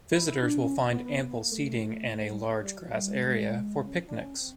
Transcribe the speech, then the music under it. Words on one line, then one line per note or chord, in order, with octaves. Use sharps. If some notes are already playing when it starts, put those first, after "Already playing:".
Visitors will find ample seating and a large grass area for picnics.
E4
E4
D4
C#4
B3
B3
B3
A#3
A3
G3
B3
A3
G3
F#3
G3
G#3
G#3
C#4
D4
C#4
C4